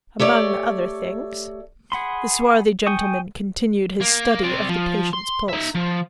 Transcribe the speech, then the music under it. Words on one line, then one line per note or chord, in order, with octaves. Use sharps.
"Among other things." The swarthy gentleman continued his study of the patient's pulse.
A3 G4 C#5 D5
G#4 F#5 B5 C6
G5 G#5 C#6 D#6
A#3
C4 D5
F3
C6
D#4 E5
F3